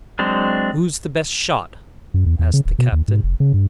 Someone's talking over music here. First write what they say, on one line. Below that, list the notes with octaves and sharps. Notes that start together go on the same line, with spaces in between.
"Who's the best shot?" asked the captain.
F#3 G#3 C4 D4
F#2
E2
E2
C#3
D1
B2
D#2
G#2
F1
C#3
G2